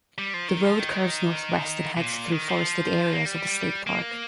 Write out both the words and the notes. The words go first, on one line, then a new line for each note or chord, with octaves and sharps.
The road curves northwest and heads through forested areas of the state park.
G3
F3
D#3
F3
D#3
C3
A#2
D#3
F3
A#3
G3
A#3